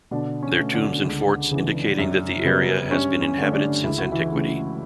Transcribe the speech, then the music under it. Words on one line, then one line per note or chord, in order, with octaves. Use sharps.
There tombs and forts indicating that the area has been inhabited since antiquity.
B2 D3 D4
C#4
A3
D3 D4
C#2
C#3 E3 B3
F#2
C#3 G3 B3
G2 C#4
C#4
D3 A3 C#4
D3 D4
C#2 E4
F#4
E3 E4
C#3 E3 A3